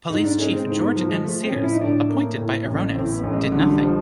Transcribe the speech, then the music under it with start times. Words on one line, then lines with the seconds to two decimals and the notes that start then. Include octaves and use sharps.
Police Chief George M. Sears, appointed by Irones, did nothing.
0.10 G#2 D#4
0.24 D4
0.38 G#3 C#4
0.53 C4
0.67 G#2 C4
0.81 B3
0.96 F3 F#3
1.10 G#3
1.24 F3 A3
1.43 C4
1.52 A2 C#4
1.64 E4
1.73 D#4
1.81 A2 D4
2.09 A#3
2.38 A2
2.66 A1
2.94 A2 C4
3.14 B3
3.23 A1
3.33 G#3
3.52 D3 G3
3.61 F#3
3.71 G3
3.80 F3